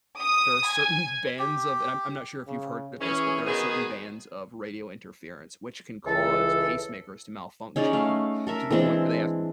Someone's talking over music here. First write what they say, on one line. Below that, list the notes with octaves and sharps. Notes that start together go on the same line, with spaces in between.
there are certain bands of and I'm I'm not sure if you've heard of this, but there are certain bands of radio interference which can cause pacemakers to malfunction to the point where they have to
D#6
G#5
G4
C#3
E3 C#4 G#4
B2 D#3 G#4 B4
C#2 E3 A4
C#4 D#4 G#4 D5
A3 F5
A4 A#4 E5
E3 G#3 C4 D4